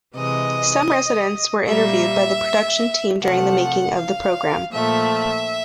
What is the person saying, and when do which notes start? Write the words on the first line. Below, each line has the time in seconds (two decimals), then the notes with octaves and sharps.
Some residents were interviewed by the production team during the making of the programme.
0.15 C3 E3 G#3 D#5
1.67 A#2 G3 A#3 E5
3.20 C3 F3 A3 F#5
3.96 F5
4.72 A#2 F3 A3 E5